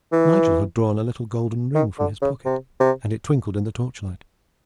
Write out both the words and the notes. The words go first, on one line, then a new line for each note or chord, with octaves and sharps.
Nigel had drawn a little golden ring from his pocket, and it twinkled in the torchlight.
E3
D#3
D3
C#3
C3
C3